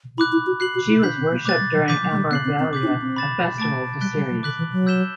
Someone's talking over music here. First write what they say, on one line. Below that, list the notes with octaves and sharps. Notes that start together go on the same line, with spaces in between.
She was worshiped during Ambarvalia, a festival to Ceres.
E4 B5 D6 F#6
E4
F#4
F#4 F#6 C7 F#7
F#4
E4
D4 G6 B6 F#7
C4
B3
A3 D6 F#6 A6
G3
F#3
E3 D6 G6 B6
F#3
A3
G3
B3 F#6 C7 F#7
C4
C4
D6 G6 B6 F#7
E4
D4
C4
B5 D6 A6 E7
A3 A5 D6 A6 D7
G3 F#6 B6 D7 G7
G3
F#3
D3 D6 F#6 B6 F#7
E3
F#3
E6 G6 B6 E7 G7